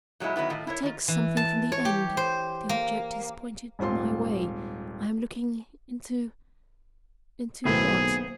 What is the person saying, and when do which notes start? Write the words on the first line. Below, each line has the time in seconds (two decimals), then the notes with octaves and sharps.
He takes something from the end--the object is pointed my way--I am looking into--into--what?
0.20 A#2 F#3 G#3 E4
0.36 D#3 F#3 B3 E4
0.50 A2 D#3 F4
0.67 E4 A#4 C#5
0.83 D#3 F4
1.08 E3
1.37 A5
1.72 C#5
1.85 G4
2.17 C5
2.69 A#3
3.79 D#1 G#2 C4 F4 C6
7.65 B1 A2 D#3 A#3 B3 G#4 C5